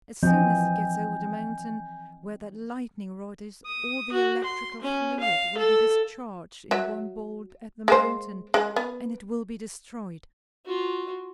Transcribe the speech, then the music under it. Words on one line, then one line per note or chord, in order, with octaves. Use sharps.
As soon as it gets over the mountain, where that lightning rod is, all the electrical fluid will be discharged in one bolt at the mountain, and it will be destroyed!
E3 F3 C4 D#5 G#5 G6
D#6
F#4
C6
C#4
F5
A4
F#3 E5
G#3 A#3 C5
G#3
B3
F4 F#4